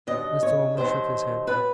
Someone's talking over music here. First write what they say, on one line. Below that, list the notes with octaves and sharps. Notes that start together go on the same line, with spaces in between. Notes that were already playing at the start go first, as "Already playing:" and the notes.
Mr. Omer shook his head.
D#2 D3 F#3 D#5
C#5
D#2 D#3 F#3 C5
B2 F#3 B4